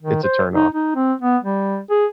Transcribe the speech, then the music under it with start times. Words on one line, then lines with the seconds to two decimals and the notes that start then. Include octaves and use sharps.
it's a turnoff.
0.03 D#3
0.23 C5
0.54 D#4
0.75 D#4
0.95 C4
1.22 B3
1.43 G3
1.90 G#4